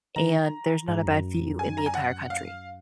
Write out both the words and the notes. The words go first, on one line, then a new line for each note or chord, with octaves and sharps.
and there's not a bad view in the entire country.
D#3 A#5
G#2
F2
F#2
F2
F#2 G#5
A#5
G#5
F#5
F5